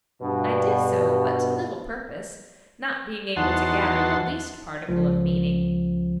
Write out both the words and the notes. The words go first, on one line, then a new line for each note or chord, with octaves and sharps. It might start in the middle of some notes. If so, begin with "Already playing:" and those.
I did so, but to little purpose, not being able to gather the least particle of meaning.
G2 B2
E2 D#4 F#4 F#5 A5 C6
C#2 F3